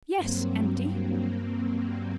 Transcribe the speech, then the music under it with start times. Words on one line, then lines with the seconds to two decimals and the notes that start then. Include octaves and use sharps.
'Yes, empty.
0.17 G2 F#3 A#3 C4